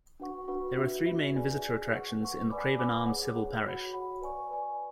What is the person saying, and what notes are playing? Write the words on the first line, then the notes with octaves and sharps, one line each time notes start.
There are three main visitor attractions in the Craven Arms civil parish.
D4 F#4 B4 F#5 C#6
D4 F#4 B4 F#5 C#6
D4 F#4 B4 E5
D4 F#4 B4 E5
G#4 D5 G#5
G#4 D5 G#5
B4 F#5 C#6
B4 F#5 C#6
B4 D5 G#5 B5 D6
B4 D5 G#5 B5 D6
G#4 C#5 F#5
G#4 C#5 F#5
F#4 C#5 F#5 B5
F#4 C#5 F#5 B5
B4 D5 G#5 C#6
B4 D5 G#5 C#6